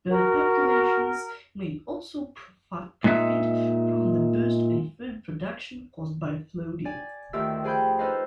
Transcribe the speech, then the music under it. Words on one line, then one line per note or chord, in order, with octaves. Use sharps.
Bird populations may also profit from the boost in food production caused by flooding.
F#4 A#4
A#2 G#3 D#4 E5
D5 G#5
D2 D#3 F4 G4 E5 E6
F3 G#4 G5 B5 G6
D#4 A4 B4 C5 D#5 F5